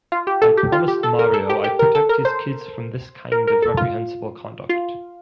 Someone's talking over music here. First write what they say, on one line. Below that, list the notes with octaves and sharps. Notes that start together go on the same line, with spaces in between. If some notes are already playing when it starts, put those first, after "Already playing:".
I promised Mario I'd protect his kids from this kind of reprehensible conduct.
F4
G4
A4
G4
F4
G4
A4
A#4
A4
G4
G4
A#4
A4
A#4
C5
A#4
A#4
A4
F4
F4